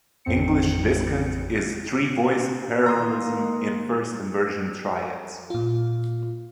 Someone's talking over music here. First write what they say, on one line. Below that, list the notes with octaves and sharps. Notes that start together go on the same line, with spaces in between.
English discant is three-voice parallelism in first-inversion triads.
A1 F2 C4 C#7
D#3 A#3 A#5 C6 D#6
A#2 F4